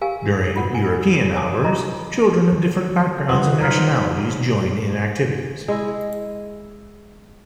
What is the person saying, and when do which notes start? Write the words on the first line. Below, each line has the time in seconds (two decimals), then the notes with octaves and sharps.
During "European hours", children of different backgrounds and nationalities join in activities.
0.01 G4 A#4 F5 G#5
0.56 F4 F#4 F#5
0.75 G#5
1.35 C#5 G#5 A5 D6 D#6
1.64 F4 D#5 A#5
2.52 F#3
3.29 G3 F4 B4 F#5 C6 D#6
3.61 F#3 D#4 C5 A#5 F6 B6
5.68 G#3 E4